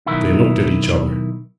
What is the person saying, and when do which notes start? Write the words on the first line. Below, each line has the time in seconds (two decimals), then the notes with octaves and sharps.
They looked at each other.
0.06 B1 D#3 E4